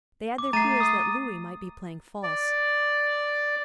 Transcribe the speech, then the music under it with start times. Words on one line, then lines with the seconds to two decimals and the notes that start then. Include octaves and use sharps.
They had their fears that Lewis might be playing false.
0.38 D6
0.53 A3 A#5 A6 C7 D#7
0.80 D#6
2.23 D5